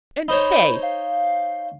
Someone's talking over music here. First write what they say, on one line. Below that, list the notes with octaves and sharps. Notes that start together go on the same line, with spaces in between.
And say!
D#4 C5 C#5 B5
F5